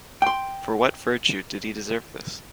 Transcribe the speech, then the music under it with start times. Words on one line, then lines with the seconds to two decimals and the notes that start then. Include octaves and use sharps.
For what virtue did he deserve this?
0.22 G5 C6